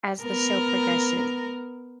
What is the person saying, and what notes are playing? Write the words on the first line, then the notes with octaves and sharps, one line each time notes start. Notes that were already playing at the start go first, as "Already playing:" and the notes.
as the show progreshe
B3 A#4